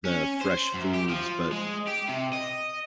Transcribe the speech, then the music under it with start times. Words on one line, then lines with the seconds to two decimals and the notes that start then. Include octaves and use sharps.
the fresh foods, but
0.05 C#4
0.41 C5
0.74 F#2
0.94 G4
1.10 F3
1.52 G#3
1.87 G4
2.09 C3
2.33 D#5